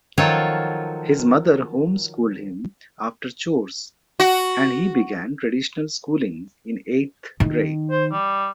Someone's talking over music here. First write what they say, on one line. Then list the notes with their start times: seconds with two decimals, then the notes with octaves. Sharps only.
His mother home-schooled him after chores, and he began traditional schooling in eighth grade.
0.18 D#3 F3 F#3 F4 A4 C#5
4.20 F#4
7.40 D#3
7.91 C5
8.12 G3